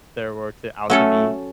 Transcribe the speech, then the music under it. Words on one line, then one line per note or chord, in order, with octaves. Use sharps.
they were to out to be
F#3 A3 C#4 A4